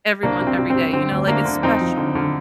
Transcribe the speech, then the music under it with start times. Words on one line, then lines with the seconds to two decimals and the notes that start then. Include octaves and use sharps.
everyone every day. You know, like, it's special.
0.23 C2 A#3 D4
0.41 C3
0.47 C4
0.59 C3
0.70 C4
0.76 C3
0.93 D3 C4
1.11 D2
1.28 D2 A#3 D4
1.45 D3
1.62 F2 C4 D#4
1.81 F3
1.97 D3
2.15 D3